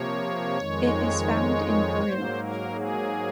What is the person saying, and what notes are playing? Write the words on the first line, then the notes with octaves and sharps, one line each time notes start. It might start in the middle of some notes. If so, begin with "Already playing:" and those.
It is found in Peru.
Already playing: C3 F3 A#3 C#5
F2 D#3 G#3
G#2 F#3 A#3 C5
A#4
G#4